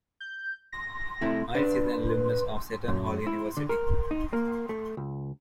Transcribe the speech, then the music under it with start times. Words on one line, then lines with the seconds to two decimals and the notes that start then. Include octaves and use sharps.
Miles is an alumnus of Seton Hall University.
0.20 G6
0.72 A#6
1.21 C3 A3 E4
1.55 D4 B4
2.88 F#2
3.27 E4
3.57 D3
3.69 A#4
4.11 D#4
4.33 A#3
4.69 A3
4.97 C#2